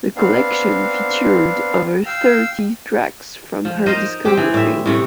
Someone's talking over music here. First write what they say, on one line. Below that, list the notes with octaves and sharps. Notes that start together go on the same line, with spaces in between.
The collection featured over thirty tracks from her discography.
B3 C4 D4 F5
F5 G5 E6
F3
D#4 A#4 C5 D#5
C4 G4
E3
A2 E5
A2 C3 A3